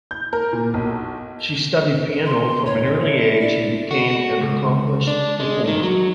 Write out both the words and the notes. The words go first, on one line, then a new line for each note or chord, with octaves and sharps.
She studied piano from an early age and became an accomplished performer.
G6
A#4
A#2
B1
C4 C6
E2 G#2 C#5
D4 E4
D5
F#4
C#2
D4
G#3
D#3
F#3